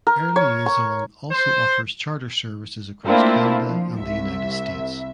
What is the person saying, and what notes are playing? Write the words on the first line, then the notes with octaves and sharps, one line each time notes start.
Air Liaison also offers charter services across Canada and the United States.
A#4
C#5
C#6
C5
A3 A#3 C4 D4 E4 F4
F3
C2 E5